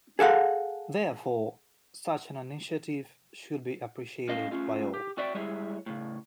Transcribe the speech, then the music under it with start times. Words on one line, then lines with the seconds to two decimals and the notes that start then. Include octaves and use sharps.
Therefore, such an initiative should be appreciated by all.
0.19 G#4 A4 F5 F#5
4.29 A2 C#4 D#5 F5
4.51 A3 C#4 F4
4.94 G4
5.17 C4 F#4 D5 E5 G5
5.35 G3 G#3 E4 G#4 C#5 E5
5.86 A2 C#3